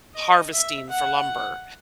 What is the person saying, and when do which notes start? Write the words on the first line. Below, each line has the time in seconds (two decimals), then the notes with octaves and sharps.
harvesting for lumber.
0.15 D#5
0.52 E5
0.89 F#5